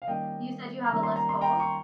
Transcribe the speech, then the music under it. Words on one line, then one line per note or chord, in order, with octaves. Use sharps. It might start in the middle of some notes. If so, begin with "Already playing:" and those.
You said you have a Les Paul?
F5
D#3 G3 A#3 C#4 D#5 G5
D#3 G3 A#3 C#4 A#5
C6
A#5
C6
G5 A#5
C#6